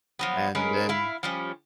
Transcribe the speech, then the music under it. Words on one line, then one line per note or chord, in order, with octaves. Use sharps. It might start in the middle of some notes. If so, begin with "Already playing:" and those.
and then
F3 F#3 B3
G#3 C#4 A#4 B4
E4 F5
F3 G3 C#4